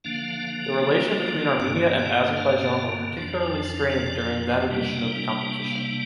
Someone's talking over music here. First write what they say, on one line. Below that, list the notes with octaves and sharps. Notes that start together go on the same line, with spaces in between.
The relation between Armenia and Azerbaijan were particularly strained during that edition of the competition.
D3 F3 A#3 D4 F5
G2 D3 A#3 D5
D5
F5
F2 F3 D4
D5
C3 G3 A#3 D4
F5